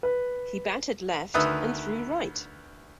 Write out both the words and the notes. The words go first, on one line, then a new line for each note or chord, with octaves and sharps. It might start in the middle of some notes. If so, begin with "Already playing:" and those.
He batted left and threw right.
B4
D2 D#3 B4 E5 D#6 E6